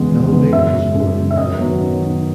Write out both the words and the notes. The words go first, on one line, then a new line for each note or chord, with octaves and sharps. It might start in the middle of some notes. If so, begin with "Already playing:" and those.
Hellwig was born in Berlin.
Already playing: E2 C#3 E3 G#3 B3
E2
C#3 E3 G#3 B3
F#2 E5
C#3 G#3
F#2
G#3
C#3
E5
F#2 D#5
D#3 F#3 B3
F#2
D#3 F#3 B3